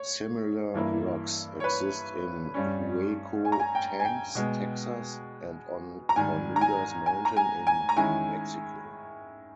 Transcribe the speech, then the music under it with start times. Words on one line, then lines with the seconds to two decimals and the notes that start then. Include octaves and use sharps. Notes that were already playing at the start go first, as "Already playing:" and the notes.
Similar rocks exist in Hueco Tanks, Texas, and on Cornudas Mountain in New Mexico.
Already playing: C#5
0.74 G2 E3 A#3 E4
1.60 C#5
1.64 B4
2.54 G2 G3 C#4
3.45 G#5
3.52 A#5
3.60 G#5
3.75 G5
4.00 G#5
4.05 G5
4.35 B2 G#3 B3
6.09 A#5
6.16 G#2 D#3 G3 G#5
6.56 A#5
6.61 G#5
7.06 G#5
7.25 A#5
7.37 G#5
7.67 G#5
7.89 A#5
7.96 D#3 G#3 C#4 E4 G#5